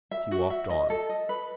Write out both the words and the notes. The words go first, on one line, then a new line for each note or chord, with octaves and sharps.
He walked on.
E5
F#4
E5
D#5
A4
D#5
B4